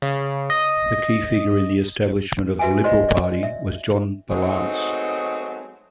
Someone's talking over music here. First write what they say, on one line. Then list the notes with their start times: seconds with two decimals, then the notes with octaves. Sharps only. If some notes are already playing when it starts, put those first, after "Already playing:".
The key figure in the establishment of the Liberal Party was John Ballance.
0.02 C#3
0.50 D#5
2.59 F#4 B4 E5 F5 G#5
2.84 C5 D5 D#5 F5 C6
3.09 D5
3.43 E5
4.30 F#3 G#3 A3 B3 C4 D#4